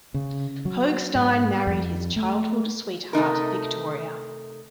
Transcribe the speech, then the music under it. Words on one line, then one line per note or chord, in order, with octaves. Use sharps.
Hogestyn married his childhood sweetheart Victoria.
C#3
F#3
G#2
F2
A3
C3 A3 D#4 A#4